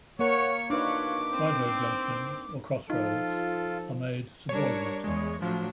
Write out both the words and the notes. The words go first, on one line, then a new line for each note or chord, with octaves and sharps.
Side road junctions, or crossroads, are made 'subordinate'.
A#3 A#4 C#5 F#5
D4 D#4 F4 F#4 B4 C#5 D6
C4
F3 D#4 F4 A4
G3 D4 A#4 C#5
E2 G#3 C#5
A2 F3 F#3 D4